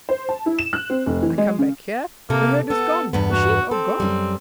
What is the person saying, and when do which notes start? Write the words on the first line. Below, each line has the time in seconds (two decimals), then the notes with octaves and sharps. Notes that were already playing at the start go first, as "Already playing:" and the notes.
I come back here: the herd is gone; the sheep are gone.
0.09 C5
0.29 A5
0.46 E4
0.59 E7
0.73 F#6
0.90 C4
1.06 F1
1.22 E3
1.38 G#3
1.59 C#3
2.30 C3 A#3 A4
2.70 B3 A4
3.13 E2 G2 B3
3.32 F#4
3.71 C4 A4
4.00 F#2 G3